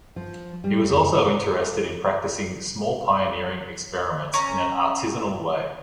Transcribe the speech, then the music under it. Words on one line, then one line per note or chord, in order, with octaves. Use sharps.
He was also interested in practicing small pioneering experiments in an artisanal way.
F3
G3
F2
C#5
A4
C#4 A#5